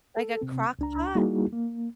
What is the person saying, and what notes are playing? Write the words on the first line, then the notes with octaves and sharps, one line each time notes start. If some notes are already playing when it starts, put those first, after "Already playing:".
Like a crock pot?
A4
C3 C4
C#2 D4 A#5
G3 A#3 D#4 E4 F#4 G#4
A#3